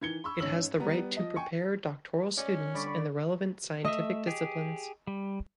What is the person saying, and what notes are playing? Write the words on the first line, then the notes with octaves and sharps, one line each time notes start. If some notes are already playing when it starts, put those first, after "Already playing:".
It has the right to prepare doctoral students in the relevant scientific disciplines.
D#3 E3 G#6 C#7 G7
B5 C#6 E6
G#2 C#4 C#5 E6 F#7
G3 B3 A#5
F3 D#5
G5 G#5 C#6 C#7
C#4 D5 D#5
D3 G3 D5 B5 C#6
A3 D#5 E5
G4 G#4
G3